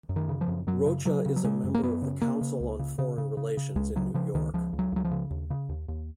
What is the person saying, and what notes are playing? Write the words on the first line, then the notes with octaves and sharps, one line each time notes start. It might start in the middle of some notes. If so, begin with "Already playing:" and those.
Rocha is a member of the Council on Foreign Relations in New York.
F#2
D#3
C#3
F3
F#2
F#2 F#3
C#3
C#3 F#3
C#3
F#3
C#3 G#3
F#2
A#3
F#2 B3
C#3
C#3 A#3
C#3
C#2
C#3
C#3
C#3
C#3
C#3
C#2 G#3
C#3 F#3
C#3 F3
C#2 D#3
C#2 F3
C#2
F#3
C#2 F#3
F3
C#3
D#2
C#3
D#2
D#2